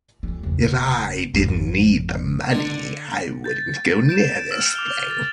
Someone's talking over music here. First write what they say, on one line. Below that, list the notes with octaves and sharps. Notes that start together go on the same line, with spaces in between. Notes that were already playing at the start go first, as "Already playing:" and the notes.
If I didn't need the money I wouldn't go near this thing.
F2 E3
F#1 E2
G#1 F2
D3
G6 A6
G6 D7 E7
E6 F6 D7
D6 F7 G7
A6